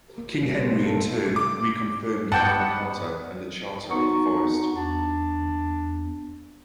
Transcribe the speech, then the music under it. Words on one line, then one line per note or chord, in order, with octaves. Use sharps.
King Henry in turn reconfirmed Magna Carta and the Charter of the Forest.
A#3
B2 G3
A#3 B4 C5
A4
D6
G2 B3 F#5 G5 A5 D6 C#7
B3 D#4 F#4 C#6
E2 D4